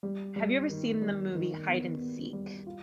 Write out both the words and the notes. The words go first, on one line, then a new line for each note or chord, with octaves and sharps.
have you ever seen the movie Hide and Seek?
G3
G3
D#3
G3
D#3
B3
B3
G3
F4